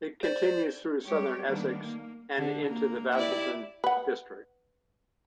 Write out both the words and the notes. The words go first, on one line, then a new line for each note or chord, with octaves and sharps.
It continues through southern Essex and into the Basildon district.
C5 D5
G3 G#3 G4 C#5
D3 D#3 G3 A#3 B3 D4
A#3
D3
A#3
E4 G4 D5
B4 F#5